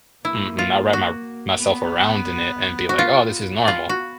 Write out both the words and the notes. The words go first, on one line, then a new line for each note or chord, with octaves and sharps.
Mhm, not wrap my r myself around in it and be like, "Oh this is normal."
A#3 E4
F4
F#4
B3
F#4
B3 F4
F4
F#4